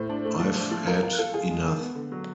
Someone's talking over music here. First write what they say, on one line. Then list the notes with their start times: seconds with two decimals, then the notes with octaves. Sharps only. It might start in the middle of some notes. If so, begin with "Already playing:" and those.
I've had enough.
Already playing: A2 C5
0.10 D4
0.25 A3
0.40 F3
0.56 D4
0.71 F3
0.86 F4 A#4
1.03 F4 A#4
1.18 F4 A4
1.34 F4 G#4
1.49 G#3
1.65 D#3
1.80 B3
1.95 D3
2.12 F#3